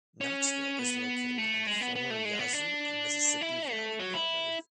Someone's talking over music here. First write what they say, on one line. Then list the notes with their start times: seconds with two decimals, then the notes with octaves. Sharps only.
Knoxville is located on the former Yazoo and Mississippi Valley Railroad.
0.21 C#4
0.79 B3
1.38 A3
1.67 G#3
1.81 B3
1.95 B3
2.10 A3
2.25 G#3
2.39 B3
2.53 D4
3.41 E4
3.71 A3
4.00 F#3
4.14 E4